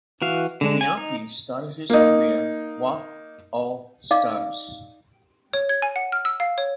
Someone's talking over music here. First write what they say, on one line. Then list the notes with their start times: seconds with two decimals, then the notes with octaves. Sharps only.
Gyamfi started his career Wa All Stars.
0.22 E3 F#4 F5
0.61 D3 G#3 D4
0.81 G#5
0.97 D#4
1.90 A#3 D#4
4.11 D#4 D5 D#5 F5 D6
5.53 C#5
5.69 G#6
5.82 G#5
5.96 F#5
6.12 F6
6.25 E6
6.40 F5
6.58 C#5